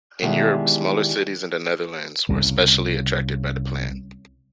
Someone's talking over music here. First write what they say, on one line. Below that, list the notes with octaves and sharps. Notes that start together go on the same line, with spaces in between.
In Europe, smaller cities in the Netherlands were specially attracted by the plan.
B2 D#3 E3 G3 G#3
C2 C#3